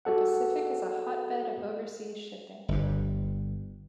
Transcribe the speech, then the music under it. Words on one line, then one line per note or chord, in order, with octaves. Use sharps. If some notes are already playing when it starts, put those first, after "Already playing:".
The Pacific is a hotbed of overseas shipping.
F#4 G#4 A4 F#5
G1 G2